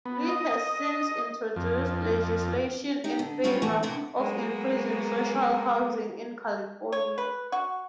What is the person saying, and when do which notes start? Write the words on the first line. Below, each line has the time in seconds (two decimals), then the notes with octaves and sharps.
Lee has since introduced legislation in favor of increasing social housing in California.
0.06 B3
0.29 D#5
1.56 F2
3.04 D#4 G4
3.19 D3
3.44 F#3 G3 C#4 F4
3.62 E3 F3 A3 B3
3.83 C3 A#3 B3 D4
4.17 F#3 G#3 A#3 B3
6.92 C#5
7.18 B4
7.52 F#4